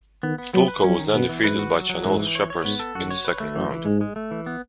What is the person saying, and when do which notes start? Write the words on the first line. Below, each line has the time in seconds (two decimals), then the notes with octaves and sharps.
Dulko was then defeated by Chanelle Scheepers in the second round.
0.23 D#3 B3
0.38 B3
0.53 F#3 B3
0.68 B4
0.84 F#3 C#4
0.99 D#3
1.14 B2 B3
1.29 E3
1.44 G#2 B4
1.59 F#4
1.74 F#3
1.89 F#3
2.04 G#2 E3
2.19 E3
2.35 C#5
2.50 C#5
2.65 G#2 B3
2.79 A4
2.95 F#2 F#4
3.10 C#5
3.25 B4
3.40 A3
3.55 F#2 E3
3.71 E3
3.85 G#2 G#3
4.01 G#3
4.16 A3
4.31 E3
4.46 B3